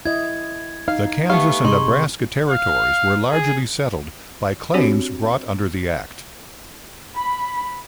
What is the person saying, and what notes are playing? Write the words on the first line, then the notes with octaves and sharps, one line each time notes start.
The Kansas and Nebraska Territories were largely settled by claims brought under the act.
E4 D#5 G#6
D#4 F5
A3 B3 G4 F5 C#6
C3 D#4 G#4 C6 C#6
F5
G#4
C4 D4 F#4 G4 C#5 D5
B5